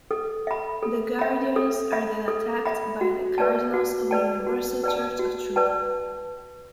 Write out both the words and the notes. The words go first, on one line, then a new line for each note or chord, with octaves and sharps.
The Guardians are then attacked by the Cardinals of the Universal Church of Truth.
A4
E5 B5
A4
E5 B5
A4
E5 B5
A4
E5 B5
F#4
B4 D5 A5
F#4
B4 D5 A5
F#4
B4 D5 A5
F#4
B4 D5 A5